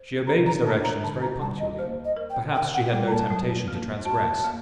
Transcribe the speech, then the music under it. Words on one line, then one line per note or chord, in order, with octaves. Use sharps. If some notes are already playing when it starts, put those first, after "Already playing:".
She obeyed his directions very punctually: perhaps she had no temptation to transgress.
Already playing: C5
D3 A#5
A#5
D4 A5
A#5
D3 A5
A#5
G3 A5
D#5
A#3 C5
D#5
A#4
G5
A#4 G5
F#5
G3 G5
A#5
A5
F#3
A#3
F#4 A5
A#3